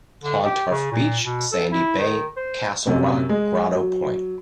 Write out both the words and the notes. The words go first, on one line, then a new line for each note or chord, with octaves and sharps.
Clontarf Beach, Sandy Bay, Castle Rock, Grotto Point.
D3
G4
C#3
A#2
B2
A4
E4
D#3
C5
F#2 C3
G#3
F#3